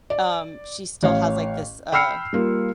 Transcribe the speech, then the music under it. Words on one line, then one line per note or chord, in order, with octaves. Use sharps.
um, she still has, like, this, uh,
D5
A1 C#5 F5
G5 B5 E6 F6 C7 C#7
G3 A#3 F4